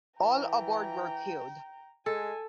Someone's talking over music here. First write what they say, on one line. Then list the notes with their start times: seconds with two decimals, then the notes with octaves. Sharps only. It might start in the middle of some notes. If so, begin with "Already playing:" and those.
All aboard were killed.
0.20 E3 G5 A#5
2.06 G#3 A4 G#5